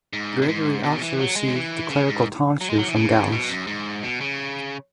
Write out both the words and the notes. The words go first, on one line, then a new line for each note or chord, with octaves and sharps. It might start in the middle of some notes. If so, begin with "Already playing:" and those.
Gregory also received the clerical tonsure from Gallus.
G#2
B2
G#2
B2
C#3
E3
F#3
G#3
C#3
E3
C#3
G#2
F#3
G#3
F#3
E3
C#3
B2
F#2
G#2
B2
C#3